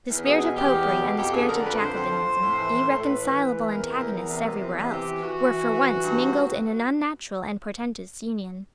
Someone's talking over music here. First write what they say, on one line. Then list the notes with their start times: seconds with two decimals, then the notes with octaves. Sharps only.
The spirit of Popery and the spirit of Jacobinism, irreconcilable antagonists every where else, were for once mingled in an unnatural and portentous union.
0.10 E2
0.25 B2 G#4
0.41 E2
0.56 E2 G4
0.71 E2
0.87 B2
1.03 B2
1.19 F2 G4
1.34 D3 G#4
1.49 D3 A#4
1.65 F2 B4
1.81 D3 C5
1.97 F2
2.13 F2
2.28 F2
2.43 A2
2.59 E3
2.75 A2
2.91 A2
3.05 A2 B4
3.22 E3
3.37 E3
3.52 E3
3.58 B4
3.68 E2 A#4
3.83 C3
3.99 E2
4.15 E2
4.30 C3
4.46 C3
4.61 E2
4.78 C3
4.93 E3 G4
5.08 E3
5.23 E3 F#4
5.40 E3
5.55 E3
5.71 E3
5.87 E3
6.02 G2